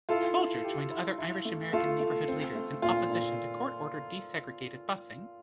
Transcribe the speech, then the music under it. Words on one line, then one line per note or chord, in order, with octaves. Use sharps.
Bulger joined other Irish-American neighborhood leaders in opposition to court-ordered desegregated busing.
E4 F4 A4
E4
G4
E4
E4
A3
A3 F4 A4
A3
C4
A3
A#2 F4
A#2